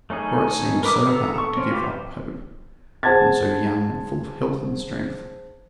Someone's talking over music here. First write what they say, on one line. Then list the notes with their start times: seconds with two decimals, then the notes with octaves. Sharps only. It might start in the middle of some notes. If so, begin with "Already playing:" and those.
For it seemed so hard to give up hope when so young and full of health and strength.
0.10 A3 C#4 D#4 G#4
0.83 A#4 B4 D6 D#6
1.07 B3 A4 A#5 E6
1.34 A4 C#6
1.57 C4 C#4
1.72 F4 G4 B4 C5
3.03 G#4 C5 F#5 A5 G#6 A6